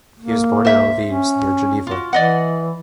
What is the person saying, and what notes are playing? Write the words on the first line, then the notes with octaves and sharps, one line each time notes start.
He was born in Eaux-Vives near Geneva.
A#3
C5 E5
C#4
F4 F#4
E3 D5 D#5 F#5